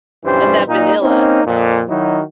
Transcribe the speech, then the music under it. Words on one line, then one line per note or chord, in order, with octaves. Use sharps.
and that vanilla.
B1 G2 E3 G3 C#4 C5
A#2 D#4
A#3 C4 C#4 D#4
F2 A#2
D#3 F#3 D#4 E4 F#4